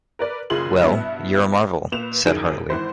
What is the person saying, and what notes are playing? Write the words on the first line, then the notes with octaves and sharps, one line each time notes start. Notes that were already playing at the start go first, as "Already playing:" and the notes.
"Well, you're a marvel," said Hartley.
A#4 B4 D5
F#1 C#3 F4 G#4 C6 F#7
G2 B2 B3 E4
A#2 B4 E7 F7
C2 F#2 D#3 G#4 D7
G#1 E3 C5